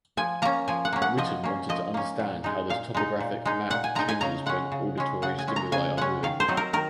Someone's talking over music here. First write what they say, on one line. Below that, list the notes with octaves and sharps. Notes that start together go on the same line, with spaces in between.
Witten wanted to understand how this topographic map changes when auditory stimuli are moving.
F3 G#5
A#3 C#4 A#5
F3 G#5
F#5
A#3 C#4
F#5
F3 D#5
A#3 C#4
F3 D#5
A#3 C#4
A#2
G#3 D#4
A#2 F5
G#3 D#4
A#2
G#3 D#4
A#2 F#5
G#5
G#3 D#4 A#5
G#5
C#3 A#5
G#3 C#4 F#5
C#3
G#3 C#4
C#3 F#5
G#5
G#3 C#4
A#5
C#3 G#5
G#3 C#4 F#5
D#3 F5
C5
F#3 C4 D#4
A#4
D#3 A#4